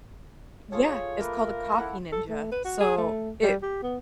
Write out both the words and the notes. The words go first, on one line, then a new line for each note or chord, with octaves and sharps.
Y yeah, it's called a Coffee Ninja. So it
F4 G#4 A4 C#5
A3 A#3 A#4 B4
E4 A4 F#5
A4
A3
B4
F#4
G#4
A3
G3
G4
B3